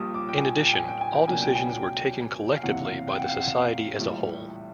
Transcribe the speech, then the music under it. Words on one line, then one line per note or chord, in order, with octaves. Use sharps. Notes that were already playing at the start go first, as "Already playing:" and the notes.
In addition, all decisions were taken collectively by the Society as a whole.
Already playing: A#1 A#2 G3 D#6
D6
G5
G#5
G5
G#5
G5
G#5
G5
C#2 B2 F#3 A#3 D4 G#5
G5
G#5
G5
F5
F#1 E2 C3 E3 F#5
F5
G5
F#5
F5
F#5
A#1 A2 E3 G3